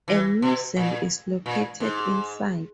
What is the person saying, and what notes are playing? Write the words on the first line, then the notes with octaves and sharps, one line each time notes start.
A museum is located inside.
E3
B2
A#2
A#2
G#2